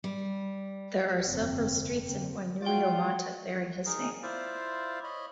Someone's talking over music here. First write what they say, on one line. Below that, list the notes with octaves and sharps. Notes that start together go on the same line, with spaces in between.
There are several streets in Wainuiomata bearing his name.
G3
F1 G2 D3 A#3 C4
D3 A#3 C4
F4 F#4 D5 G5
D#4 G#4 A#4
E4 F4 C5 D5 E5 F5
C#5 D#5 B5